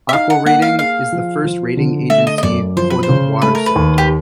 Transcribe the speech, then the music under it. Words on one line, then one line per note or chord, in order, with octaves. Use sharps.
AquaRating is the first rating agency for the water sector.
E5
D#4 F5
F#5
A#3 F#5
F5
G#4 F5
F3
F3
D3
A3 E5
D#5
D#5
F#2 D5
F3 C5
B4
C5
C#3
A3 B4
A#4
B4
D#2
G4